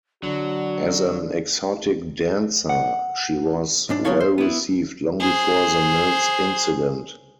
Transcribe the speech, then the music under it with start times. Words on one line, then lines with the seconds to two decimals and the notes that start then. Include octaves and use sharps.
As an exotic dancer she was well received long before the Mills incident.
0.23 D3 F#3 F#4 D5
2.69 F#5
3.89 B1 G#2 D4
4.05 F#3 B3 E4 A4 C#5 F5
4.20 C5
4.38 B3 E4
5.20 G#4 C5